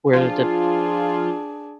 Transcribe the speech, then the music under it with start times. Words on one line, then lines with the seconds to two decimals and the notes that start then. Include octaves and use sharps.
where the
0.13 F3 D4 F4 G#4